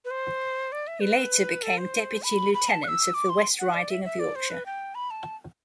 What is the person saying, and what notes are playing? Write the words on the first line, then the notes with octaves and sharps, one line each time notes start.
He later became deputy-lieutenant of the West Riding of Yorkshire.
B4
C5
D5
E5
B4
A4
C5
B5
B5
A5
F#6
E6
D6
C6
F#5
D5
E5
E5
D5
C5
B4
G5
B5
A5